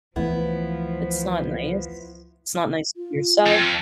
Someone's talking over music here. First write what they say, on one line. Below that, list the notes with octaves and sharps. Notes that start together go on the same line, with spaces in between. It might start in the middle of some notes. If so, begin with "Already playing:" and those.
It's not nice. It's not nice to yourself.
C#2 E3 F3 A3 B3 E4
F4
F2